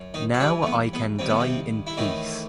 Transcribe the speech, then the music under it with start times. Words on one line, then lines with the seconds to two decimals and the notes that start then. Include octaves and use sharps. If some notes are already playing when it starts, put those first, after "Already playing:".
Now I can die in peace.
Already playing: F#2
0.14 D#3 D#4
0.34 F#4
0.40 G2 E3 G3 G4
0.62 A3
0.66 B3
0.93 B3
1.19 G2 D#3 C4
1.30 B3
1.40 C3 C4
1.87 E4
1.97 A2 D#3 E3 D#4